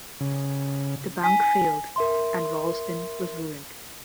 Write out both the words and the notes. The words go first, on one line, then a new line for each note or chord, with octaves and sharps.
The bank failed, and Ralston was ruined.
C#3
G#5 B6
A#4 E5 C6